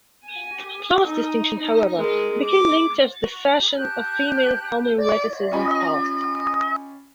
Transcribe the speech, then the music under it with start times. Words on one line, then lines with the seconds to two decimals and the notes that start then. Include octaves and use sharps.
Class distinction, however, became linked as the fashion of female homoeroticism passed.
0.24 G#5
1.03 D#4
1.58 D#4
1.96 G#3 A#4
2.42 D6
3.77 G4 A5 F#6 G6
5.51 C#4 F4 G4 D#5 G#5 B5